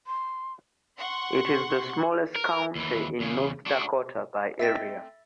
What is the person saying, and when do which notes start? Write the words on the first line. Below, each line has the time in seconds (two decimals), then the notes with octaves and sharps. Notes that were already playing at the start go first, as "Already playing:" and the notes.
It is the smallest county in North Dakota by area.
0.07 C6
0.99 F#5 C6 C#6
2.36 A#4
2.75 D#2 E3
3.20 E2 C#3
3.66 D4 F#4
4.60 A3 C4 D#5 E5 G5 E6 A6 A#6